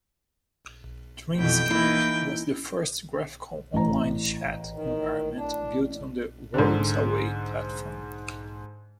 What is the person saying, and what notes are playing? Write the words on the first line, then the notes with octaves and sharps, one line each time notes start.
"Dreamscape" was the first graphical online chat environment built on the WorldsAway platform.
F2 B2 E3 G5
E3 A#3 D#4 E4
A1 A#5
D#3
D4
G#2 D3